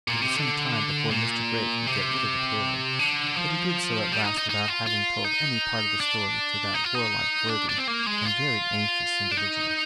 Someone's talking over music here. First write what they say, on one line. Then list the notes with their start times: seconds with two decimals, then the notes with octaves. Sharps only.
It was some time before Mr. Grey could get rid of the tailor, but he did so at last without having told any part of the story to that warlike, worthy, and very anxious individual.
0.08 A#2
0.22 C3
0.37 D3
1.11 A#2
1.86 C3
2.99 D3
3.36 F3
4.12 G3
4.24 D#4
4.37 D#4
4.49 D#4
4.68 F4
4.86 F4
5.24 D#4
6.00 D4
6.74 D#4
6.85 F4
6.95 D#4
7.50 D4
7.69 D4
7.78 C4
7.88 A#3
8.06 G#3
8.25 F4
9.31 D4
9.37 D#4